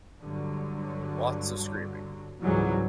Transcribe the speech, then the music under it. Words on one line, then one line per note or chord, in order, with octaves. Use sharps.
Lots of screaming.
G2 D3 F#3
C#2 G#2 E3 F#3 G3